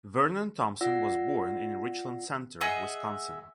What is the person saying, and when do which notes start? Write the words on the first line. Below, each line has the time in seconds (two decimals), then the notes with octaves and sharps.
Vernon Thomson was born in Richland Center, Wisconsin.
0.81 F4 D5 F#5 E6 A#6
2.61 G#4 D#5 E5 F#5